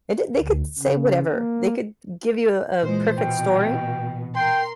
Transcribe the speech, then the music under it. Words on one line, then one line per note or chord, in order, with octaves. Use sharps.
and the they could say whatever they could g give you a a perfect story.
D2
C#3
A#3
A#2 E3 G#3 C5
B2 G5
A#4 G5 C6